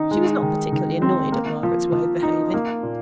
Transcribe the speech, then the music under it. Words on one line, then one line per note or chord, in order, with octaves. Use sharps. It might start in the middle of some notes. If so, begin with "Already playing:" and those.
She was not particularly annoyed at Margaret's way of behaving.
Already playing: D#3 D#4
G#3
D#3
D#3
C4
A#3
F3
F3
D#4
A#3
A#2